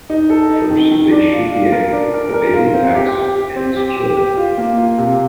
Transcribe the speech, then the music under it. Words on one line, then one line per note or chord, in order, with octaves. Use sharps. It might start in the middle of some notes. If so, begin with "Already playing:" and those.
First, they shoot the egg, the baby attacks and is killed.
D#4
A4
D#4
D#3
D#3
D4
F4
F4
A#4
D4
A#4
A#4
F4
C4
G4
G4
G4
C4
G4
G4
G4
F4
A#3
F4
C3